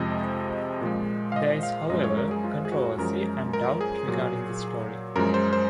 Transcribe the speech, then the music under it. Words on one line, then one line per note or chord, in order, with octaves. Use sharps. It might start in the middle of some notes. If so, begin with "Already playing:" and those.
There is however, controversy and doubt regarding this story.
Already playing: F2 C3 F3 G#3 D#5
A#2 F3 G#3
F5
D#5
F5
F#2 F3 G#3 D#5
C#5
A#4
G#4
F4
G#4
F#4
F#2 F3 G#3 A#4
A#4
G#4
A#2 F#3
F#2 F3 G#3 A#4
C5
C5